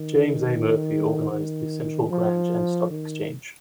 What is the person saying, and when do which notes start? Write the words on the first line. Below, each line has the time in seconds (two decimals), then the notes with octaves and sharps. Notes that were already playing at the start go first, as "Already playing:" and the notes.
James A. Murphy organized the Central Grange and Stock Exchange.
Already playing: D#3
1.32 D#3
2.11 F3
2.90 D#3